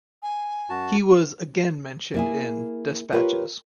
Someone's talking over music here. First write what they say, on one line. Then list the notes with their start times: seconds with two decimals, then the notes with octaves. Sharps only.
He was again mentioned in despatches.
0.22 G#5
0.70 F#2 F#4 A5
2.14 A#3 E4 G#4
3.13 F4 G4 A#4 B4 C#5